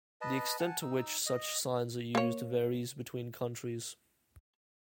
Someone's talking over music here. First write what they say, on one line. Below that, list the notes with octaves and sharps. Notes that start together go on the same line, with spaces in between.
The extent to which such signs are used varies between countries.
B4 D#5 A5
F#5 G#5 A5
D#4 E6
D#5
A#3 C#5